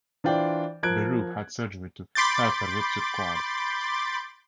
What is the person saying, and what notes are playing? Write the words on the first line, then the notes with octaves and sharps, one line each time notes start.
Berube had surgery to help her ruptured quad.
E3 D4 F4 C5 D5 G5
F3 A#4 F#6 G#6 D7
B5 C6 D6 G6 A6